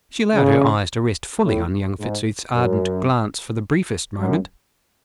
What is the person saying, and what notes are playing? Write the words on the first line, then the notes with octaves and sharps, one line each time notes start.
She allowed her eyes to rest fully on young Fitzooth's ardent glance for the briefest moment.
C#3
A2
G#2
F#2
F#2